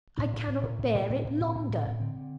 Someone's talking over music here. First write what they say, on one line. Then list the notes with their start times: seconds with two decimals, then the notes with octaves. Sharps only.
I cannot bear it longer!
0.17 A2 D4
0.33 A2
0.48 A2
0.63 A2
0.79 A2
0.95 A2
1.10 A2 C4
1.19 D4
1.24 A2 C4
1.40 A2
1.55 A2
1.70 A2
1.86 A2
2.00 D3 C4
2.16 D3